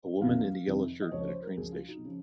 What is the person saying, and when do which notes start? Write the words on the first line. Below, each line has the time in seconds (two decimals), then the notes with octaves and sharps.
A woman in a yellow shirt at a train station.
0.21 F2 C3 D#3 F5
0.67 F2 C3 D#3
1.02 D#5
1.11 C#2 C#3 F3 C#5
1.27 C5
1.42 A#4
1.57 C#2 C#3 F3 G#4
1.72 F4
1.88 D#4
2.05 C#3 F3